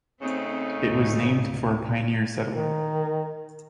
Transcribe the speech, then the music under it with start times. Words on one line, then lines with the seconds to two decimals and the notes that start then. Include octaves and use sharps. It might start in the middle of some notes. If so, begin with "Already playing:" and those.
It was named for a pioneer settler.
0.22 C#3 A3 C4 D#4
0.79 D2 A2
2.55 D#3